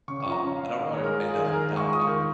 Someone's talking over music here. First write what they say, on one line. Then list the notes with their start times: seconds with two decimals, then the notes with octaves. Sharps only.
Um, I don't wanna end on a down note,
0.08 C#3 C#6
0.20 C#6
0.26 F3
0.31 A#5
0.43 C#4
0.57 F5
0.62 F4
0.81 D#3 D#5
0.94 C#5
0.99 G#3 A#4
1.17 F4
1.28 G#4
1.35 D#3
1.45 G#4
1.52 D#3 A#4
1.72 G#3
1.77 C#6
1.88 F4 D#6
2.01 C#6
2.07 D#3